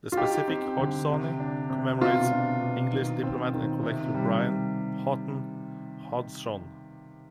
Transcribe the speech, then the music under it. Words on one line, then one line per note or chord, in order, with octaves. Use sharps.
The specific "hodgsoni" commemorates English diplomat and collector Brian Houghton Hodgson.
F4
D#4 G4
C4
D3
C3
D4
C3
B2 F4
D4
B2
D#3
C4
D#3
C3
G3